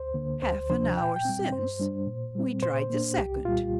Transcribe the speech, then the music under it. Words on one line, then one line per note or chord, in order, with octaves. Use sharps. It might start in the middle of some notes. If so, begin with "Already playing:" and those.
Half an hour since we tried the second.
Already playing: D2 C5
D3 A#3
D2 C5
C3 F3 D4 C5
A#2 G5
G5
G3 C4
G2 C5
G3 D4
A#2
G3 C4
A#2 C5
A#3 D4
C2 G4
A#2 G3 F4